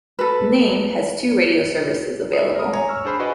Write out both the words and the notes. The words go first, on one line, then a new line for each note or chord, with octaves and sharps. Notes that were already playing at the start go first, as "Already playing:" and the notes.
Nain has two radio services available.
A4 B4
E5 D#6
A#4 D#6
C#5 G#5 A#5
C#6 E6 F6
D4 G#4 C5 B5
F#4 B4 D5 D#5 G#5 B5